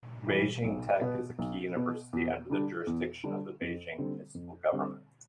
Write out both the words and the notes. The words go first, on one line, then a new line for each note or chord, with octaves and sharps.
Beijing Tech is a key university under the jurisdiction of the Beijing Municipal Government.
E3 G3
B1
B2 B3
B1
B2 B3
E2
D3 G3 D4
E2
D3 G3 D4
F2
D3 G3 C4
F2
D3 G3 C4